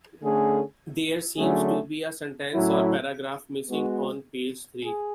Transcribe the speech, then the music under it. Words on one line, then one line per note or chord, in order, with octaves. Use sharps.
There seems to be a sentence or paragraph missing on page three.
D3 A3 C#4 G#4
D3 F#3 A3 C#4 G#4
A2 F#3 C#4 E4
G#3 B3 F#4
G#4